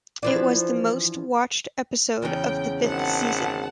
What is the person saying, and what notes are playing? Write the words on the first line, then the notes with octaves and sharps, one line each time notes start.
It was the most watched episode of the fifth season.
E3 F3 D4
E2 C#3 G5
G#1 F#5 A5